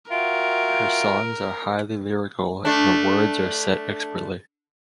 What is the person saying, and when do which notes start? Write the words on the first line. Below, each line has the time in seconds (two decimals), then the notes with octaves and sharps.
Her songs are highly lyrical and the words are set expertly.
0.11 F4 F#4 A#4 E5 G5 D7
2.65 A3 D4